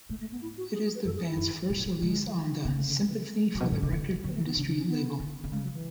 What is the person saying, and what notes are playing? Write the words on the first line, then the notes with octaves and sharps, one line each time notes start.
It is the band's first release on the "Sympathy for the Record Industry" label.
A2 A3
A3
B3
E4
F#4
G#4
G#4
B4
F#2 A4
G#4
E4
F#2
A2
A2
D3 G#3
C#3 B3
A3
D3
E3
E3
E3
G#3
A2 F#3
B2
A2
C#3
D3
D3 F#3
A3
B3
C#3 D4
D4
C#4
B3
D3
D3
C#3 G#3
F#3
E3